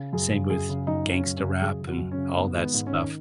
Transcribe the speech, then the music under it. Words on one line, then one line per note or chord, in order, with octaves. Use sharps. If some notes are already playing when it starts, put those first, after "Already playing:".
same with gangsta rap and all that stuff.
Already playing: C#3
F#2 G#4
C#3
F#2 G#4
C#3
F#2 D#4
C#3
C#4
F#2
C#4
C#3
F#2 G#4
C#3
F#4
F#2
C#4
C#3
G#2 B3
D#3 G#3
B3
G#2
C#4
D#3